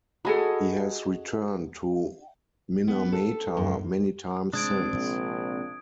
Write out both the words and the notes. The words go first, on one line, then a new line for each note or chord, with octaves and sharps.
He has returned to Minamata many times since.
F#4 G#4 A4 D#5 B5
B3
A4
F#2
C3 G#3 C4 D4 D#6 G#6 D7
A#1